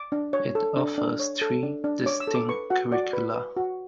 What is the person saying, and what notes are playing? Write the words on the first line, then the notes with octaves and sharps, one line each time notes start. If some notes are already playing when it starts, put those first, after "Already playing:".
It offers three distinct curricula.
Already playing: D6
D4
C#5
A4
D4
D4
C#5
A4
D4
D4
C#5 D6
E6
A4
D6
B4 C#6
F#4 F#5
F#4 D5
B4
B4
F#4